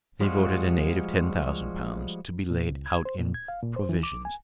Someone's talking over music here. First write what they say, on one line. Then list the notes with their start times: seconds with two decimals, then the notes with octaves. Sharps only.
They voted an aid of ten thousand pounds, to be laid out in provisions.
0.21 F3 G3 G#3 F4 F#4
2.50 A#2
2.70 C#2
2.86 G#6
3.05 C5
3.19 A#2
3.34 G#6
3.48 F5
3.62 A#2
3.76 C5
3.89 E3
4.03 D6
4.25 G#5